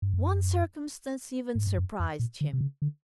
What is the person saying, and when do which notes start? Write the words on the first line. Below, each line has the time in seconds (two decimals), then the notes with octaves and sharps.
One circumstance even surprised him....
0.02 G2
0.14 F#2
1.55 G#2
1.67 G2
1.78 F#2
2.00 F2
2.19 A#2
2.41 D3
2.53 C3
2.61 C#3
2.82 D3